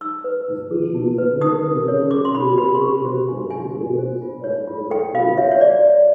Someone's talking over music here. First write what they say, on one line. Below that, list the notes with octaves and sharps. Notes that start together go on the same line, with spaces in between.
The species name refers to the rare shape of the base of the fruit.
D#4 E6
B4
D#4
G#4
D#4
B4
D#4 D#6
A#4
C#5
F#4 D6
C6
D#4 B5
A#4 B5
C6
D4 C#6
C5 C6
D4 G#5
G4 G#5
D4
C5
F4
C#5
F4
A4 G5
F4 F5
C#5 E5
C#5
F#4 D5
C#5